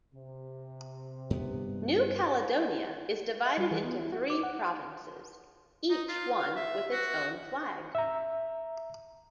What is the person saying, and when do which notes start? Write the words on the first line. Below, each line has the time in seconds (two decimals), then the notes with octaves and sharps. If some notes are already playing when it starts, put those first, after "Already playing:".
New Caledonia is divided into three provinces, each one with its own flag.
0.15 C3
1.30 G2 B3
3.45 E5
3.58 G3
3.71 E3
3.84 B3
3.99 E4
4.12 F#4
4.30 D6
4.43 F#5
5.91 D#4
6.08 F4
6.39 F5
6.56 E5
6.92 F#4
7.95 E5 A#5